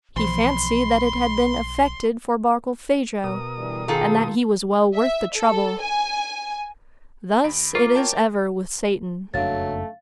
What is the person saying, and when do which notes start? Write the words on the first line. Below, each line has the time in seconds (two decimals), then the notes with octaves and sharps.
He fancied that it had been effected for Barkilphedro, and that he was well worth the trouble. Thus it is ever with Satan.
0.16 B1 E3 F3 B5 C6
3.24 B2 A#4 D#6
3.58 D3 E3 G3
3.88 D#3 F4 G#4 A4
4.95 E5
5.35 A4
5.81 G#5
7.44 D#2 B5 D7
7.75 A#3 F4 C#6
7.95 C#5 G5 A5
9.34 F#1 F2 F#3 A3 D4 F5 A6